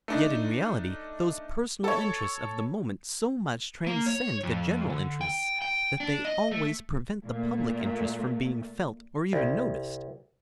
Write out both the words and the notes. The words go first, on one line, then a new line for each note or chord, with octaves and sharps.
Yet in reality those personal interests of the moment so much transcend the general interests that they always prevent the public interest from being felt or even noticed.
A3 D4 D#4
A4 C#5
A#3
C#5
F2
D3
G5
G5
D4
D#5
A3
A#2 A3
C2